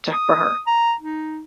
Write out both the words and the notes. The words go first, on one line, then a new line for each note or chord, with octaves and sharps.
to for her.
D#6
A#5
D#4